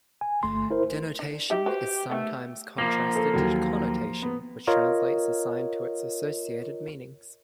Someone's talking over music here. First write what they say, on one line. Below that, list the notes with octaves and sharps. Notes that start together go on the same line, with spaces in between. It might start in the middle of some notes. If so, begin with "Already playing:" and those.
Denotation is sometimes contrasted to connotation, which translates a sign to its associated meanings.
G#5
G1 A3 C6
E4 A#4 C5
D4
D#4 G4 E5
F#4 B4 C5
D#3 A3 B3
F3 A#3 D6
A4
D#2 F#3
B3
F4 A#4 C#5 D#5